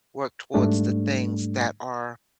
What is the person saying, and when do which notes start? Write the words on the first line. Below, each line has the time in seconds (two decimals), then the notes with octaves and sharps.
work towards the things that are
0.54 G#2 G3 A3 D4